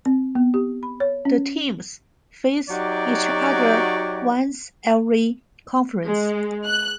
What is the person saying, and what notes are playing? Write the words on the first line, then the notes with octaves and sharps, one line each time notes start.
The teams face each other once every conference.
C4
B3
G4
B5
C#5
C#4
F#3 D#4 F#4 G4 C#5 D5
G#3
F#6